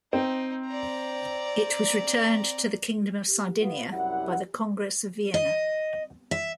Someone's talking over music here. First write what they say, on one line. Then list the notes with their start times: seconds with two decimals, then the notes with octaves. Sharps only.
It was returned to the Kingdom of Sardinia by the Congress of Vienna.
0.13 C4 D#4
0.67 D5 A#5
3.61 B3 F4
3.92 C2 F#2 G3 E4 F#5
5.34 D#5
6.31 E5